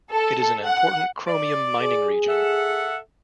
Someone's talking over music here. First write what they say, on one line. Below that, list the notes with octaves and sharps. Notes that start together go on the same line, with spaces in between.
It is an important chromium mining region.
A4
F#5
D5
G#4
A4 E5 F#5